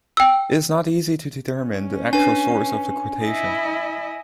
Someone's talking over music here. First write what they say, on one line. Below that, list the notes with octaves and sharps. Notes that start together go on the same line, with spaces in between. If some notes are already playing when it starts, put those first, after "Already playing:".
It is not easy to determine the actual source of the quotation.
G5 E6
C#4
D4 B4 G#5
E4 D#5